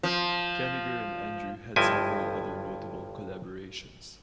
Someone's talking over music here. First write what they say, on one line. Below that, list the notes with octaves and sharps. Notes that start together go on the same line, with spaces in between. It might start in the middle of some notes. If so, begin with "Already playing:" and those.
Kanigher and Andru had several other notable collaborations.
F3
G1 G2 F3 E4 D#5 G#5